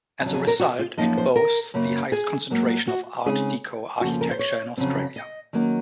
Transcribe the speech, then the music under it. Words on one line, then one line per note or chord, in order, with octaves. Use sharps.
As a result, it boasts the highest concentration of Art Deco architecture in Australia.
F2 C#3 F#3
G#4
A#4
F#4
F4
F#2 F3 A#3 D#4 D#5
C5
A#4
F#2 C#3 F#3 A#3
G#4
G#2 F#3 A#3
F#4
C#3 G#3 C4 D#4 G#4
F2 C#3 F3 A#3 F#4
A#4
C5
C#5
F2 C#3 F#3 C4
D#5
D#3 F#3 A#3 C#4